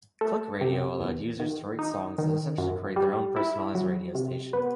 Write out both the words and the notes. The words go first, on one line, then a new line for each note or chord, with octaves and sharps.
Clickradio allowed users to rate songs and essentially create their own personalized radio station.
A3
C3
E2
D#3
D#4
D#3
F#2
G3
E4
F#3
C3
B3